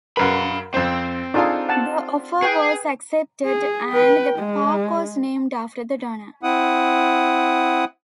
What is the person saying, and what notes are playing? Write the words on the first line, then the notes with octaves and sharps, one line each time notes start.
The offer was accepted and the park was named after the donor.
F#2 A#4 B4 F5 F#5 B5
F2 C4 C5
D4 D#4 F4 G#4 A4 F5
F#5 A5
G#4 B4 G5
G#4
B4 G5
G#3
C4 E4 F#5 D#6